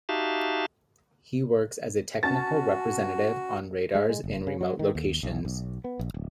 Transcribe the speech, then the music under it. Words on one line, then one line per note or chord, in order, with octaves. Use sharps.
He works as a technical representative on radars in remote locations.
D#4 F#4 G4 E5 F5 A5
C#4 F#4 A5 A6
G#3
G#3
F#1
C#3
F#3
D#3
D#2
B1
B1
B3
A#1
D1